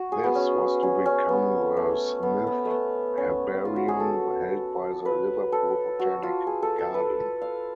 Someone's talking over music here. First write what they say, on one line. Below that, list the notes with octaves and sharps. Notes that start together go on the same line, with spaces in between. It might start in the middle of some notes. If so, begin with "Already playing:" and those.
This was to become the Smith Herbarium held by the Liverpool Botanic Garden.
Already playing: F#4
G#4
B3
C#4
C#4
C#4
B3
A3
B3
B3
A3
B3
C#4
F4
F#4
G#4
A4
B4
A4
F#4
F4
G#4
A4
A4
B4
F5